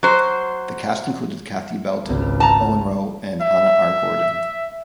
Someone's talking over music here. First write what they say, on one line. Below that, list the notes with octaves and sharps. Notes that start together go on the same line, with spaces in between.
The cast included Cathy Belton, Owen Roe, and Hannah R. Gordon.
F#3 C5
G#1 C#2
A5 A#5
E5